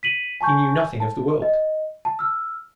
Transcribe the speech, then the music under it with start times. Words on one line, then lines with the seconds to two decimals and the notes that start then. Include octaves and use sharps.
She knew nothing of the world.
0.03 B6 D#7 F#7
0.41 G#5 A5 C#6 G6
1.00 A5
1.42 D#5
2.05 A5
2.19 E6 F6